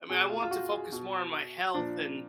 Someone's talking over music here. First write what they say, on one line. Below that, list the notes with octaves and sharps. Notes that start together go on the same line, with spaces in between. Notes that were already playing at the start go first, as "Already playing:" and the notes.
I mean, I want to focus more on my health and
B2 G#4
F4
F4
F#4
G#4
B2
A#2 F3 D4